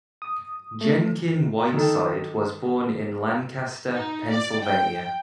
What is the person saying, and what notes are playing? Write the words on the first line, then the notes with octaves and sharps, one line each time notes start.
Jenkin Whiteside was born in Lancaster, Pennsylvania.
D#6
A3
D#3 A4
D#4
D5
G5